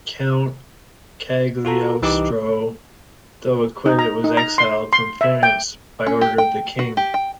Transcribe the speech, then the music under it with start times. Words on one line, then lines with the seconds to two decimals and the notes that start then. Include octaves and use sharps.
Count Cagliostro, though acquitted, was exiled from France by order of the King.
1.65 F4 F#4 A4 A#5
2.02 C2 E3 D#4 G4 D#5 D6
3.86 D#4
3.99 A#5
4.24 D#4
4.37 A#5
4.58 C6
4.93 C6
5.21 E5
5.43 G5
6.07 C#4
6.21 G4
6.38 G5
6.79 F#4
6.97 G4
7.14 G5